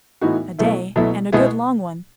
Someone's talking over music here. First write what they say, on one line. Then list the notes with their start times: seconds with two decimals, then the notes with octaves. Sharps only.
"A day, and a good long one."
0.21 A2 E3 B3 D#4 F#4
0.59 B2 F#3 A3 E4
0.96 B2 F#3 A3 E4
1.32 B2 G#3 B3 E4 G#4